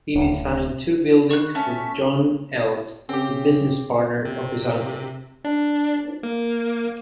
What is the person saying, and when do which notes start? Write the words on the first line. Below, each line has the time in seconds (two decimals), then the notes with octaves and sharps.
He designed two buildings for John Eld, the business partner of his uncle.
0.15 D1
1.30 C#6 F#6
1.55 A3 C#4 E5 A5
3.09 C#3 C4 G4
4.25 C3
5.45 D4
6.23 A#3